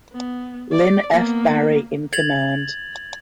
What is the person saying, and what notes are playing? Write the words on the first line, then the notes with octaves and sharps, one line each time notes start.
Lynn F. Barry in command.
B3
D5
A#3 B3
G#6 A6 F7 F#7